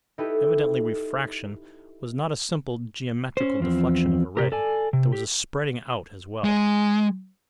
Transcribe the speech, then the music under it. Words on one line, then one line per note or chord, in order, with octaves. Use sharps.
Evidently refraction was not a simple geometrical deflection of a ray, there was a spreading out as well.
D#4 E4 G4 A4 B4
C#4 C5
E2 F3 C4
C3 G4 A#4
A4 D5 G#5
C3
G4
G#3